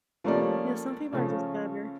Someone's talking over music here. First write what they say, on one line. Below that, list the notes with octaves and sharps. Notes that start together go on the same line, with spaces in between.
Yeah, some people are just better.
F3 G3 A3 A#3 C#4 D5
C#3 F3 A3 C#4